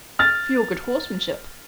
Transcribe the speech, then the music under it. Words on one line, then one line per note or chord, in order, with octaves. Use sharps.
"For your good horsemanship."
F6 A6